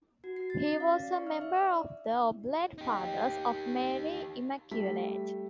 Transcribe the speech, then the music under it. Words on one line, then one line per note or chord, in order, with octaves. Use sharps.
He was a member of the Oblate Fathers of Mary Immaculate.
F#4
C7
A6
C#4
F5
D5
C#6
F6
E5
D5
D#4 G4
G3 A3 B6